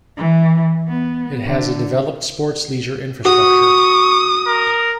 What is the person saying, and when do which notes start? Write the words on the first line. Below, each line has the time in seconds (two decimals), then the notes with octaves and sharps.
It has a developed sports-leisure infrastructure.
0.17 E3
0.87 B3
1.45 D3
3.25 F#4 C#6 D#6
4.47 A#4